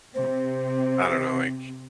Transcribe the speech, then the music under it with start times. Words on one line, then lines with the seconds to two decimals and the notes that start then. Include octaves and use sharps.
I don't know, like,
0.14 C3 C4 C5